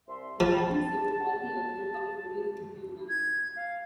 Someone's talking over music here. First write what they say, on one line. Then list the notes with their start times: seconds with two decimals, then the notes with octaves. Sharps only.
The album sold all the original copies produced in a few months.
0.08 C2 E5 C6
0.40 F3 A5
3.09 G#6
3.56 F5